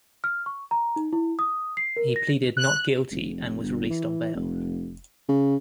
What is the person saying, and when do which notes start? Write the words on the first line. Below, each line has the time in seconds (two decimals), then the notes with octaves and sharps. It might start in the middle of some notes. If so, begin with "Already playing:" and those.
He pleaded not guilty and was released on bail.
0.24 F6
0.46 C#6
0.71 A#5
0.96 D#4
1.13 E4
1.39 D#6
1.77 C7
1.97 A#4
2.16 A#6
2.57 F#6
3.11 F1
3.62 G1
3.90 E3
4.34 F1
5.28 C#3